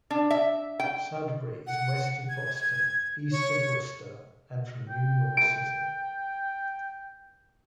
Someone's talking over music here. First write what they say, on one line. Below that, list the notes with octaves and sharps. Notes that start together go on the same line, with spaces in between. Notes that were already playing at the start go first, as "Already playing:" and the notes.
Sudbury is west of Boston, east of Worcester, and from New York City.
D4
E5
G5
F#5
G#6
C#5
G5
D7